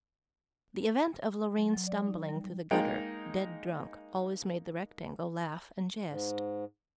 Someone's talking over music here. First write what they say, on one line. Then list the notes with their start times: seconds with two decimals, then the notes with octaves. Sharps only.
The event of Loreen's stumbling through the gutter dead-drunk always made the Rectangle laugh and jest.
1.56 F#3
1.74 F#3
1.87 D5
2.07 D#4
2.29 G3
2.71 G#3 A#3 D#4 G5
6.07 G#2